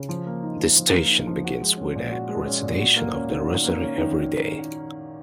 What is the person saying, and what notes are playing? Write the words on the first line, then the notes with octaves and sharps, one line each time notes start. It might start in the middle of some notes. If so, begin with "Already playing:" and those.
The station begins with a recitation of the rosary every day.
Already playing: C#3
F3
A#3
D#4
F3
F3
A#3
D#4
F3
F#4
G#3
C#4
A#2
F#4
G#3
C#4
A#2
F#4
A#3
C#4
D#3
F#4
A#3
C#4
D#3